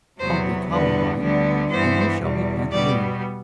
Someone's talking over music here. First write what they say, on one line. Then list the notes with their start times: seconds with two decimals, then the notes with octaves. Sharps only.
"I'll be columbine and you shall be pantaloon."
0.19 E2 C3 F#3 B3 C5
0.69 E2 D3 G3 B3 B4
1.20 D2 D3 G3 B3
1.71 G2 E3 B3 C5
2.21 E2 B2 G3
2.71 B2 G3 B3 D5